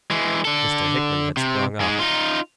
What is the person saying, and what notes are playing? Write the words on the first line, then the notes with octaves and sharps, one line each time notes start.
Mr. Hickman had sprung up.
E3 G#3
D3 A4
C3
G#2 G#3
D#4 F4